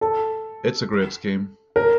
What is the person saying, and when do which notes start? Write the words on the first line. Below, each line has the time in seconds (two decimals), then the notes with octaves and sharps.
It's a great scheme.
0.01 A4
1.76 A#4